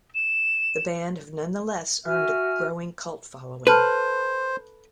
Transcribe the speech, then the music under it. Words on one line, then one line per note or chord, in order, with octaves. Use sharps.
The band have nonetheless earned a growing cult following.
E7
F#4 E5 G#5 F6
A4 B4 C5 A5 F6